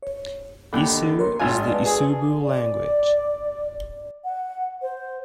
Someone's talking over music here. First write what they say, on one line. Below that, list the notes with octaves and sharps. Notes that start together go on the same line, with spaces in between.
Isu is the Isubu language.
C#5
D#2 D3 B5
A#4 C#5 C6
G#1 F4 G#5 C6
B4 D5 A5
G#4
D5
F#5
C5